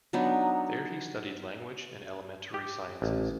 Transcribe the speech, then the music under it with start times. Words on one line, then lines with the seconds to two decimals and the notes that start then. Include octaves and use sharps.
There he studied language and elementary sciences.
0.13 F#3 B3 D4 D#4
2.54 G4
3.02 A1